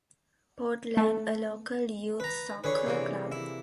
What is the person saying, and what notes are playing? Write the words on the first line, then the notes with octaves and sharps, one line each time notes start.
Portland, a local youth soccer club.
A3
B4 A#5
D3 G#4 B4 C#5
C3 E3 A#3
E4